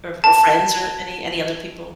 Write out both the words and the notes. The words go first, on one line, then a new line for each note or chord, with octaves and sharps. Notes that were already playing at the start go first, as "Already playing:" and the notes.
or or friends, or any any other people?
A5